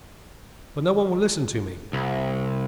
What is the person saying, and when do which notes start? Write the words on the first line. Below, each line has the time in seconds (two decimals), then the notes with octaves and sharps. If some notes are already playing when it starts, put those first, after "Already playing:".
But no one will listen to me.
1.93 C2